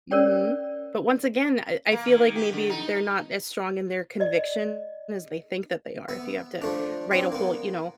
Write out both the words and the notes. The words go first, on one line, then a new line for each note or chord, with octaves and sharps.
Mhm. But once again, I I feel like maybe they're not as strong in their conviction as they think that they are. If you have to write a whole you know,
C#4 A#4 C#5 D5 G5
A#3
D#3
G4
D3
D#4
D5 D#5
B3 E5
F3 A3 D4
C4 D4 E4
A#3 B3